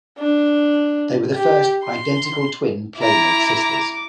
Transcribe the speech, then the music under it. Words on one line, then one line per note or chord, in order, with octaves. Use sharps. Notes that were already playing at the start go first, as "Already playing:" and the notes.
They were the first identical twin Playmate sisters.
D4
G4
C6
E4 A#5 D6